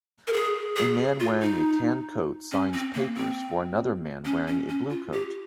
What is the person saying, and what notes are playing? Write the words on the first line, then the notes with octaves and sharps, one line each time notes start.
A man wearing a tan coat signs papers for another man wearing a blue coat.
A#4
G#4
G#4
F4
D#4
C#4
C4
A#3
C4
C#4
C#4
C#4
F4
G4